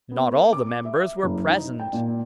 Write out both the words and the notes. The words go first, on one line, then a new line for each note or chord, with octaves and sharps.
Not all the members were present.
B3
A#4
D6
E5
F#1
D#4
G5
A#2